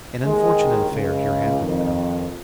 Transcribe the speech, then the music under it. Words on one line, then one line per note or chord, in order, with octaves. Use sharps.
An unfortunate affair here happened to them.
D#2 D#3 G#3
C#2 C#3
F2 D#3